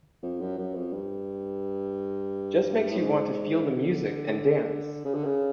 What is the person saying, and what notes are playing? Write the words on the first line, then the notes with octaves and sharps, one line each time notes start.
Just makes you want to feel the music and dance.
F2
F#2
F#2
F2
G2
A2
G#2
D3
C#3
D3
C#3